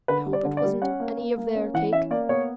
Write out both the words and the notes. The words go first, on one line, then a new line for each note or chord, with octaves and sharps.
I hope it wasn't any of their cake.
D3 B4
G3
D5
D3
D5
G3
C#4 F#5
A#3
A#3
A#3
C#4
E3 F#5
C#4 E5
A#3 D5
B3 C#5